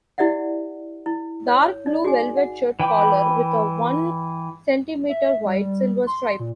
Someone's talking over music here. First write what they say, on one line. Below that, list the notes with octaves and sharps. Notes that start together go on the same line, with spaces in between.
Dark blue velvet shirt collar with a one centimetre wide silver stripe.
E4 G4 D5 E5 F#5
E4
C#5
D#4 D5
F#4 G#4 G#5
F#5
E3 G5 B5 D6
E5
G3
C6
A#2